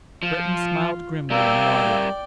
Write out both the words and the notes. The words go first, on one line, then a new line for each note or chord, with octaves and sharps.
Breton smiled grimly and nodded.
F3 F4
G3 A#4 D5 F5 G5 E6